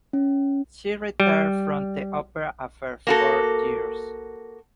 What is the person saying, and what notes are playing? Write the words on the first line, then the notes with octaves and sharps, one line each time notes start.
She retired from the opera after four years.
C#4
G3
A#3 F#4 A4